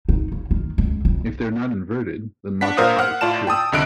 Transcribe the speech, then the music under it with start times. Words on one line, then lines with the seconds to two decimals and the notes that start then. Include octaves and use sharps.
If they are not inverted, then logic high is true.
0.09 D#4
0.32 C#3
0.51 D#3
0.78 C#2
1.05 F2
2.61 D4 F#5 B6
2.77 A#2 A#4 C5 F5 D#6
2.99 F#5 F6
3.21 A2 F4 D5 A5 E7
3.47 G5 A5 D#6 E6
3.72 C2 F2 D3 D#5 F#6 D7